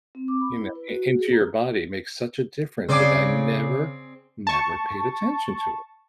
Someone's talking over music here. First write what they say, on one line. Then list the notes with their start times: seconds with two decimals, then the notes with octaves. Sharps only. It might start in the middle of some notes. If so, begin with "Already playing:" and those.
you know i into your body makes such a difference that I never, never paid attention to it.
0.15 C4
0.28 D6
0.41 B5
0.57 E4
0.75 B4
0.88 F#4
1.03 F#4
1.19 G#4
1.32 A#5
2.89 C#3 C4 G#4 D5 D6
4.47 A5 C#6